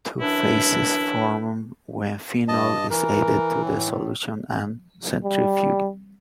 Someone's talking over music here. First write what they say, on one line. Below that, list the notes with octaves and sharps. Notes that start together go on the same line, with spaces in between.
Two "phases" form when phenol is added to the solution and centrifuged.
F#2 E3 D4 E4
G2 D#5 A5
E3 A#4
A2
G3